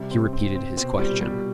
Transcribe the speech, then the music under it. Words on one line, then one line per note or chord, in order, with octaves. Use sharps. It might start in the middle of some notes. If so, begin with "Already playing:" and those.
He repeated his question.
Already playing: C3 G3
C4
C4
C4
B2 C4
A#2 G3
B2 G3